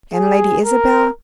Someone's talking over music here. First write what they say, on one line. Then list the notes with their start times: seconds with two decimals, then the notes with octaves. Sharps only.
And Lady Isabel?
0.13 G#4
0.64 A#4